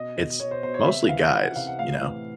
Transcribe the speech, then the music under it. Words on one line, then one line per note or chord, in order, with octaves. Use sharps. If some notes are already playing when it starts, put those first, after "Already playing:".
it's mostly guys, you know,
Already playing: B2 D#5
B2
B2 C#5
C5
B2 C5
C#5
C3 E5
E3 F5
E3 F#5
F#5
C3 F5
F#5
A2 F5
E3